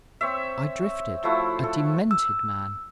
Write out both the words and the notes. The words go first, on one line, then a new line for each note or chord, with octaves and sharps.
I drifted--a demented man.
C4 C#5 E5
F3 A3 E4 F#4
A4
E6